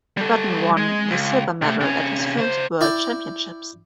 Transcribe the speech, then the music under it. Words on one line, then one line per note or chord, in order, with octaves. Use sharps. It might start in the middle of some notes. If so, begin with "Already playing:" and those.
Button won the silver medal at his first World Championships.
G3 A4
G#3
C#2
C3 A3
C3 C#4
C#3 C5
E4 D5 G5